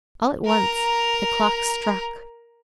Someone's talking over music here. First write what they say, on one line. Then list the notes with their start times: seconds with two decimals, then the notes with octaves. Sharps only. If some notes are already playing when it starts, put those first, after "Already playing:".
All at once, the clock struck.
0.45 A#4 A#5